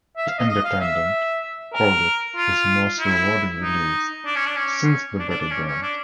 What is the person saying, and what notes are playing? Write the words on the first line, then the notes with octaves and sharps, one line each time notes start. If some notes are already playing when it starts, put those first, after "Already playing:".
The Independent called it "his most rewarding release since the Beta Band".
E5
F5
D#5
D#5
F5
E5
A#4
F4
E4
D#4
D4
C#4
D4
C#4
D4
D4
D4
C#4
C#4
D4